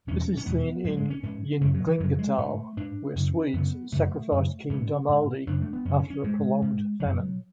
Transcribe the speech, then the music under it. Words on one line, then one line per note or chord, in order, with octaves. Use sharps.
This is seen in "Ynglingatal" where Swedes sacrificed King Domalde after a prolonged famine.
E2 B2 C#4
C#4
E2 B2 B3
G#2 F#3
G#3
C#4
G#2 C#4
F#2 C#3 A3
F#3
E3
F#2 C#3 F#3
F#3
G#3
G#2 A3
G#2 D4
F#2 C#3 C#4
F#2 C#3 B3
F#2 C#3 A3
F#2 C#3
G#2 C#4
G#2
F#2 C#3 D4
A3
B3
F#2 C#3 C#4
C#4
C#4
G#2 G#3
G#2
F#2 C#3 F#3